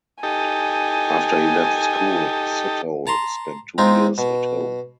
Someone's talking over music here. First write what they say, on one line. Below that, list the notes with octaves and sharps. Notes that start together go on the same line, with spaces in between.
After he left school Sithole spent two years at home.
D#4 G4 A4 G#5
A5 A#5 C6
G#3 C4 D#4 F4
B2